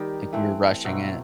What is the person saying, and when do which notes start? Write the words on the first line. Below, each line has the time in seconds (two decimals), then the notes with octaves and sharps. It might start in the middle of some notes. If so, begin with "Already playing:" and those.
Like, we were rushing it.
Already playing: D#3 G3 D#4 G4
0.33 E3 A3 C4
0.84 B2 F#3 C4 E4